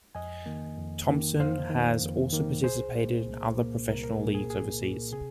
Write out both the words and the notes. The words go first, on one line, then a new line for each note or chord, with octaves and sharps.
Thompson has also participated in other professional leagues overseas.
F2 D#5 G#5
D#3 A#3
F2
D#3 A#3
F2 C5 F5
D#3 A#3
F2
D#3 A#3
C2 G#4 C5
A#2 A#3
C2
A#2 A#3
C2 A#4
A#4
A#2 A#3 G#4
G#4
C2 G#4
A#2 A#3
C3 G#4